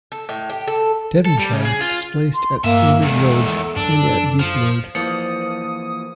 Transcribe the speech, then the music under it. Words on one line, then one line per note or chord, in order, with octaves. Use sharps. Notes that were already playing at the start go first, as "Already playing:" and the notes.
"Devonshire" displaced at standard load and at deep load.
A4
A2
G4
A4
A4
G3
C#3
G#4
F4
C6
G2 A#2 A#3 E5
E2 D#3 G#3 B3 A4
F#2 D4
F3
E3 F3 A#3 D#6 C#7